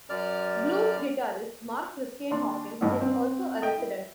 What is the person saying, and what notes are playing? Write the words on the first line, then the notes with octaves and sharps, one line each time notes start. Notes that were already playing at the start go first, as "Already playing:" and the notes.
Blues guitarist Mark Christian Hawkins is also a resident.
F#2 D5 F6
D#2 D4 C6
A1 E2 G2 D#3
C4
D#5 G5
E4